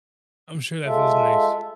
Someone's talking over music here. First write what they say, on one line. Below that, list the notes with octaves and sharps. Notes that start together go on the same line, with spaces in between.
I'm sure that feels nice.
G#3 F4 A4 E5